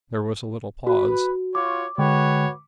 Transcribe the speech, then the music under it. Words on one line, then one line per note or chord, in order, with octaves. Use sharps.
There was a little pause.
F#4 B4
F4 F#4 C#5 D6
D3 G#3 F#4 B4 C#5 G5